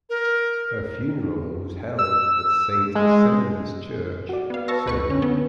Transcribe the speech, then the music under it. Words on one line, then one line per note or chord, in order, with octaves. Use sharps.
Her funeral was held at Saint Sennen's Church, Sennen.
A#4
E6
G#3
F#4 D5
B3 F5
B4 A5 C#6 E6 A#6
C#2 B4 C#6
D3 C#4
B3